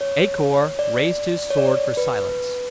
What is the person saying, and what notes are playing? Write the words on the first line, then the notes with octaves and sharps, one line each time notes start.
A-Kor raised his sword for silence.
C#5
D5
C#5
D5
B4